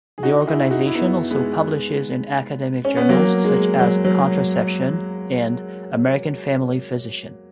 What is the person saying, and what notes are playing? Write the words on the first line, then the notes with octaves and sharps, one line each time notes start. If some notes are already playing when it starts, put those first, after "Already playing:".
The organization also publishes in academic journals such as "Contraception" and "American Family Physician".
G#4
D#4 F#4
E4 G#4
D#4 F#4
E4
B3 D#4
G#3 B3
C#4
B3
F#3 A#3
G#3
F#3
F#3